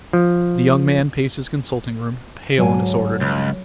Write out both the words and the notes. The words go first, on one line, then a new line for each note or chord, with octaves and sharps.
The young man paced his consulting-room, pale and disordered.
F3
D2 G#2 F#3 G#5
C#2 G2